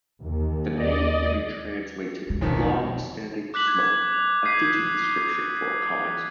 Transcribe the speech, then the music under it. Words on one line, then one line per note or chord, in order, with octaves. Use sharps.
The name can be translated 'long standing smoke', a fitting description for a comet.
D#2
D5 D#5
G#3
B1 F2 D#3
D6 F#6 B6 F#7
G#6 F#7
F7
D#6 G6 G#6 B6 C7 D#7